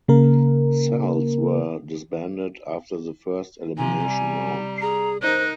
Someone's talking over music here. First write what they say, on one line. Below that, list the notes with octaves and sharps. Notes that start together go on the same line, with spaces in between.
Cells were disbanded after the first elimination round.
C#3 A#3 A#4
C3 F3 G#5 A#5
G3
G#4 A#5
D#4 A#4 C5 F#6